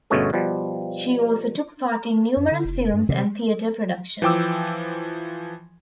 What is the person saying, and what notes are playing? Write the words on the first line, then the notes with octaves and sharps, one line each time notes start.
She also took part in numerous films and theater productions.
G1 B2 A3 C#4 G#4 A4
B2 F3 G3
F#2
D3
F1
G2
C3 D#3
E3 F3 G5 D6 E6